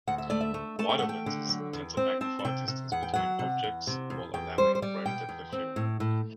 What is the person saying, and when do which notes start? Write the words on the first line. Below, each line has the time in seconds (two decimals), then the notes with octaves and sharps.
Wider lenses tend to magnify distance between objects while allowing greater depth of field.
0.07 D2 F#5
0.18 E5
0.30 A3 D5
0.41 E5
0.54 A3
0.79 A3 A5
0.89 G5
0.99 A3 F#5
1.09 G5
1.26 D3
1.49 F#3
1.73 E2
1.97 C4
2.21 C4 A5
2.39 A5
2.45 C3 G5
2.68 C3
2.92 E2 F#5
3.03 G5
3.14 F#3 F#5
3.39 C3
3.64 E2
3.87 C3
4.10 E2
4.34 E2 G5
4.58 G3 C5
4.75 C5
4.82 G3 D5
5.06 B2 G5
5.29 E2
5.52 C4
5.76 A2
6.00 A2